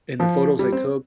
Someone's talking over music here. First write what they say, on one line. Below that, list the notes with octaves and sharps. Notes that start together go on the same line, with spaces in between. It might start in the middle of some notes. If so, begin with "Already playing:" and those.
and the photos I took
F3
G3
C4